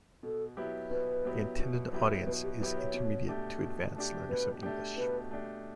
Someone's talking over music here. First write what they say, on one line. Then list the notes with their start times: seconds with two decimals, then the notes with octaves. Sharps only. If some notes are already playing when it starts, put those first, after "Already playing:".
The intended audience is intermediate to advanced learners of English.
0.23 B2 A4
0.57 F#3 B3 E4 G4
0.91 B2 B4
1.25 F#3 B3 E4 G4
1.60 B2
1.92 F#3 B3 E4 G4
2.26 B2 B4
2.43 G4
2.60 F#3 B3 E4 G4 B4
2.77 C#5
2.94 B2
3.28 A3 D4 G4
3.62 B2
3.96 A3 D4 G4
4.29 B2 B4
4.63 A3 D4 G4
4.97 B2 B4
5.31 A3 D4 G4